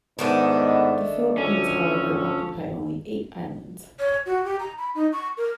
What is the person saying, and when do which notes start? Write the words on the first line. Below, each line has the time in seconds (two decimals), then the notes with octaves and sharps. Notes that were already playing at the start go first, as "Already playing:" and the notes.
The Philippines, however, occupy only eight islands.
0.19 G#2 D#3 A3 B3 D4
1.38 D2 F3 C#4 A4
3.99 C#5
4.26 F#4
4.45 G4
4.60 A#5
4.78 B5
4.95 D#4
5.13 C#6
5.37 A#4